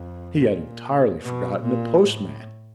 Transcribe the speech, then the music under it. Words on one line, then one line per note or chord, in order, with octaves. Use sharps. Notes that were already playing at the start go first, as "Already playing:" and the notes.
He had entirely forgotten the postman!
Already playing: F2
A#2
B2
A#2
A2